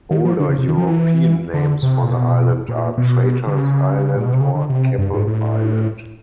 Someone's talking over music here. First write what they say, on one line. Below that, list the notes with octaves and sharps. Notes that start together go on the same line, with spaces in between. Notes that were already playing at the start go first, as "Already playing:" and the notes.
Older European names for the island are Traitors island or Keppel island.
D#3
F3
D3
C#3
C3
D#3
F3
E3
D3
C3
A#2
B2
A#2
B2
D3
C#3
A#2
B2
C3
C#3
D3
C3
G2
G#2
A2